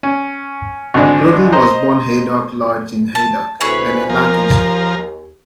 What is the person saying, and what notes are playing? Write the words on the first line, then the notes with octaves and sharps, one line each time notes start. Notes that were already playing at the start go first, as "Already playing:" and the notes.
Claughton was born Haydock Lodge in Haydock, then in Lancashire.
C#4
G#1 D3 G#3 D4
C5 D#5 A#5
A5
D2 C3 E3 G#4 B4 C#5
D#2 F3 A#4